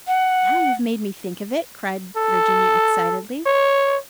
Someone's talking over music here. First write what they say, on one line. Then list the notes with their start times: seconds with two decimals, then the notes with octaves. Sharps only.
"Now you've made me think of it," cried Virginia, excitedly.
0.07 F#5
2.17 A4
3.46 C#5